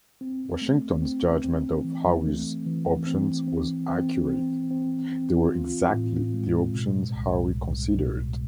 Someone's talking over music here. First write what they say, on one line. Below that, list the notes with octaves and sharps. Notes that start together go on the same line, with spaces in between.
Washington's judgment of Howe's options was accurate; they were exactly the options Howe considered.
C4
A3
C4
C4
E3
A3
E3
C4
C4
C4
C4
C4
C4
F4
A2
G#3
B2
C2
C2
B2